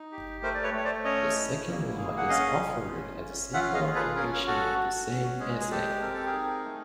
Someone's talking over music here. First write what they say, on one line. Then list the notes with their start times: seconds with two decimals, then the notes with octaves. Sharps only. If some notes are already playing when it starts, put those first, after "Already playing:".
The second law is offered as a simple observation in the same essay.
Already playing: D#4
0.12 G4
0.43 A3 A#4 C5
0.55 D5
0.63 B4 C#5
0.74 A3 C#5
0.85 C5 D5
1.04 C#4 C#5 D#5
1.36 E4
1.67 A#3
1.98 G#4
2.17 F#5
2.29 C#4 D#5 F5
2.60 F4
2.91 C#4
3.22 C#4
3.53 F4 E5 F#5
3.74 D#5 F5
3.85 G#4
3.95 A4 B4
4.15 C#4 G#4 A#4
4.47 F#4 A4
4.78 F#4
5.09 C#4
5.40 G#3 G#4
5.61 G#4
5.71 G4 A4
6.02 C4 A#4
6.14 A4
6.26 G#4 A#4
6.33 D#4
6.64 A3